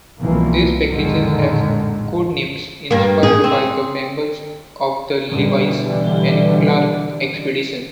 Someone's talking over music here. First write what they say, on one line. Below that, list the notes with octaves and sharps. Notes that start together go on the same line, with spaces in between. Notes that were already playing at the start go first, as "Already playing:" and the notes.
These packages have codenames inspired by the members of the Lewis and Clark Expedition.
C2 B2 E3 F3 A#3
A#1 F2 A2 D3 D#3 G#3
G2 A#3
G#4
C4
B2 D3 E3 G3